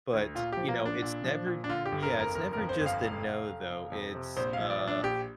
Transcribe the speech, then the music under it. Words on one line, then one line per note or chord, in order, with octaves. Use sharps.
But, you know, it's never yeah, it's never just a "no," though. It's, uh
D2
A#2 F4
F3 G4
A#3
A#1
D4
A#2
F3
A#2
D4
D3 F4
G4
G1
A#4
F2
A#4
G1 A#4
A#4
F2
C5
G1
F5
F1
F1
F1
F1
F2
C3
A#1 C5
F5
F3
D5
A#1
D4
A#1 G4